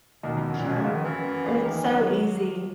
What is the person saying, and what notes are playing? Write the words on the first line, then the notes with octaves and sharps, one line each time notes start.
Sure. And it's so easy,
D#2 B2 D#3
E2
F#2
A#2
F#2 B2
G#2
F#2 C#3
D#3
F#2 E3
F#2
C#2 C#3
D#2 D#3
D#2 D#3 F#3